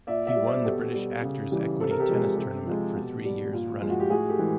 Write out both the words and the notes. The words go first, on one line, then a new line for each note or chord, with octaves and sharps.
He won the British Actors Equity Tennis Tournament for three years running.
A#2 D5 E5
D5 E5
G3
C5 D5
B2 G4 A4
G3
C#3
E3 G3
C3 A4
A#4
G4 A4
F3 G#3
C3
F3 G#3
B2
G3
A#2
F3 G#3 F4
F#4
G4
A2 F#4 G#4
G4 A4
E3 G#3